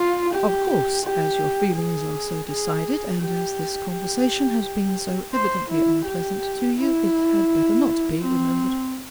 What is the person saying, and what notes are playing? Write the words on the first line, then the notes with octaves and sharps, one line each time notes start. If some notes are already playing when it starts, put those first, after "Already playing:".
'Of course, as your feelings are so decided, and as this conversation has been so evidently unpleasant to you, it had better not be remembered.
Already playing: F4
G4
G4
G#4
G#4
G4
G4
C5
E4
G4
E4
C4